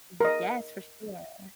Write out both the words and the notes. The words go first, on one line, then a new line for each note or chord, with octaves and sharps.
Yes, for sure.
A#4 D#5